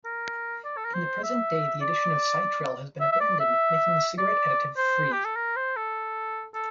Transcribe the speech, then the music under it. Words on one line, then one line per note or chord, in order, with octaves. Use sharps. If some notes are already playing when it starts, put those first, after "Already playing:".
In present day the addition of Cytrel has been abandoned, making the cigarette additive-free.
A#4
D5
A4
A#4
C5
E5
D5
E5
E5
D5
E5
D5
C5
G4
A4
A#4
C5
A4
A4